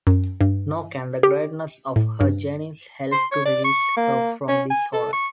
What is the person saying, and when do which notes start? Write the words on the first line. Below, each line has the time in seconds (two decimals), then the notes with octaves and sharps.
Nor can the greatness of her genius help to release her from this horror.
0.07 F#2
0.41 G2
1.23 G4
1.96 A2
2.20 G2
3.12 C6
3.31 C#5
3.45 D5
3.64 C#6
3.97 A#3
4.48 C#4
4.70 G#5
4.93 A4
5.13 C#6